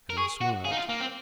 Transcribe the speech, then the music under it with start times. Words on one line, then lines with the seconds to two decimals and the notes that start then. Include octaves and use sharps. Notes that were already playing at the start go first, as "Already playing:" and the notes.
Adam smiled.
0.10 A#4
0.17 G#4 C#6
0.41 F#4 F#5
0.65 G#4 F5
0.71 D#4
0.77 F4
0.87 A#3 F5
1.00 C4